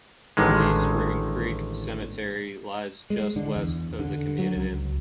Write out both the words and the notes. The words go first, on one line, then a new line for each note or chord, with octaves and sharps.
The Spring Creek Cemetery lies just west of the community.
A1 D3 D#3 G#3
G#3
D3
E2
D3
F#3
C#2